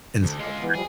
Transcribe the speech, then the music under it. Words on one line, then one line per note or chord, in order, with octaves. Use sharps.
and so he
D2
G#3 F4
E3 B3
F3 G3 G#4